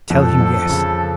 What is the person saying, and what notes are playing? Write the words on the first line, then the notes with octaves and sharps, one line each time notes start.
"Tell him yes!"
F2 A4
F2
C#3